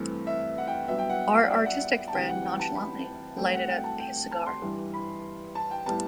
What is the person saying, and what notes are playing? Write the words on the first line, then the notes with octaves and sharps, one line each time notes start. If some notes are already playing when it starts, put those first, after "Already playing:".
Our artistic friend nonchalantly lighted up his cigar.
Already playing: G2 E3 A3 C4
E5
F#5
G5
G2 F#3 B3 E5
G5
F#5
D5
E5
F#5
A5
D2 C3 E3 G3 G5
F#5
G5
A5
B5
G2 F#3 A3 C4 G5
F#5
G5
A5
G5
A5
C6
G2 E3 G3
B5
A5
G5
A2 G3 B3 A5